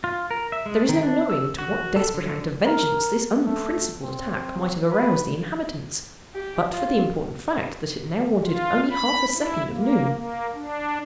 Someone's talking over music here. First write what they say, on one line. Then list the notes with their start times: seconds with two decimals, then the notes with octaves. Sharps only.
There is no knowing to what desperate act of vengeance this unprincipled attack might have aroused the inhabitants, but for the important fact that it now wanted only half a second of noon.
0.04 F4
0.31 A#4
0.52 E5
0.66 G#3
0.89 D#3
1.03 D4
1.30 E6
1.59 F#4
1.96 A4
2.14 D3
2.66 A#4
3.46 A3
4.03 C4
4.91 B4
6.35 G4
6.72 F4
8.44 F4
8.90 B5
9.35 E4
9.69 A#3
10.10 A#3
10.54 D4